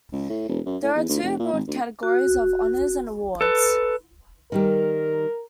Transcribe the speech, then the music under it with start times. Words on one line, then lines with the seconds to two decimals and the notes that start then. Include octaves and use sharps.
There are two broad categories of honours and awards.
0.12 C#2
0.29 A2
0.49 E1
0.66 F#2
0.82 A2
0.95 E2
1.09 D2
1.23 F1
1.39 A#2
1.53 G#1
1.67 D2
2.03 F#4
3.41 A4 B4
4.52 D#3 G3 G4 A#4